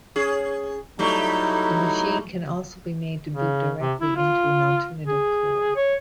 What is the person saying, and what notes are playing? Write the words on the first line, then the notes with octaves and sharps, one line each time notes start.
The machine can also be made to boot directly into an alternative core.
C#4 G#4
F#3 G3 A3 D#4 E4
C#3
C3
E4
F4
G#4
C#5